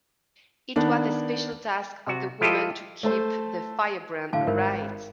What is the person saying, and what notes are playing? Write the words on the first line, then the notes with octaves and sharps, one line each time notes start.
It was the special task of the women to keep the firebrand alight.
D#3 B3 D4
C3 F#4
F3 E4 F4 G4 A4 D#5
A3 A4 C5
A2 D3 F5 A5 D6
G#1 D#4 A#4 E5